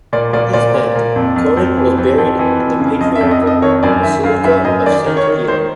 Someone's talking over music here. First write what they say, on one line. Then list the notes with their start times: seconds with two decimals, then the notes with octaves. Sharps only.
On his death, Conon was buried in the Patriarchal Basilica of Saint Peter.
0.13 A#2 D5
0.33 A#2 D5
0.53 A#2 D5
0.74 A#2
0.95 A#2
1.16 F2
1.36 F2
1.57 F2
1.77 E3
1.98 F2
2.18 F2
2.39 E3
2.60 F2
2.80 C#3
3.01 F2 D#5
3.15 E5
3.21 F2
3.31 D#5
3.41 F2
3.47 D#5
3.62 D#3 C#5
3.83 F#2 D5
4.03 D#3 E5
4.24 F#2 F5
4.44 F#2 E5
4.65 F#2 D#5
4.86 D#3 D5
5.06 D#3
5.17 C#5
5.27 D#3
5.48 D#3 C5